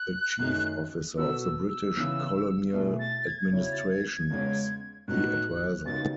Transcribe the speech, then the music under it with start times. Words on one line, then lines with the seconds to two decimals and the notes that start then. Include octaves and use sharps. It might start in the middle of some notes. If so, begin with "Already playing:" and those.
The chief officer of the British colonial administration was the "Advisor".
Already playing: F#6
0.39 F#2 D#3 A3 D#4 G#4
1.17 B2 F#3 B3 F#4 A4 E6
1.70 E6
1.96 C#3 E3 B3
2.73 B2 A3 E4 G#4
3.00 A6
3.26 G#6
3.51 E2 C#3 F#3 C#4 E4 G#6
3.72 A6
3.91 G#6
4.10 G#6
4.30 E2 C#3 G#3 C#4
5.08 A2 F#3 B3 D#4 F#4 F#6
5.85 D#2 C#3 F#3 B3 D#4 A6